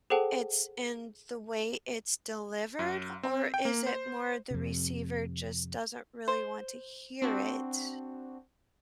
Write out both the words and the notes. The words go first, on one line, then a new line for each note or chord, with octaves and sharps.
it's in the way it's delivered, or is it more the receiver just doesn't really want to hear it?
G#4 A4 C5 F#5 G5 A5
F#2
C4
G5
A#3
C5
F2 C3
C5
C4 D4 F#4